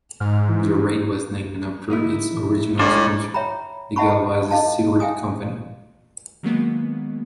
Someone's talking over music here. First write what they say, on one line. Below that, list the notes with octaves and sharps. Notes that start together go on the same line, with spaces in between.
The Raid was named after its original sponsor, the Gauloises Cigarette Company.
G#2 F6
E3
A#3 D#4 E4
A2 G#3 D4 F4 D5
C#5 E5 G5 A#5 B5
D#5 E5 F#5 A5 B5 C#6
D#4 A4 D#5 F5 A5
E5 F5 G5 G#5 D#6
D#3 F#3 G#3 A#3 B3